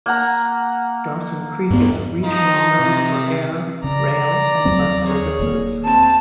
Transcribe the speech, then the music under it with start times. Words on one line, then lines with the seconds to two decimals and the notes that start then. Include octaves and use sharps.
Dawson Creek is a regional node for air, rail, and bus services.
0.06 A#3 F#5 A#5
1.70 G2 B3
2.23 F3 D#4
2.79 C3
3.84 C#3 D5 A#5
4.65 D#2 F#3 C4
5.04 G#4 C#5
5.39 D#1 A#3
5.85 C4 A5